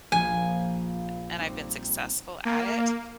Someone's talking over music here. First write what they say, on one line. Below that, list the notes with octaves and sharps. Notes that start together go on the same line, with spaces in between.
a and I've been successful at it,
A#1 F3 A#3 G#5
G3 C4 D#4
A#3